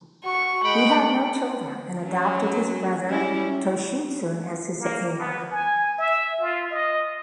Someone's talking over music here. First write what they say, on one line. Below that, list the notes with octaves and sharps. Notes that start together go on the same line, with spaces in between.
He had no children and adopted his brother Toshitsune as his heir.
F#4 C#6
G#3 F#5 G5 B5
F#3 C#4
G3 C#4 E4
A#3
B3
G#5
E5
F4
D#5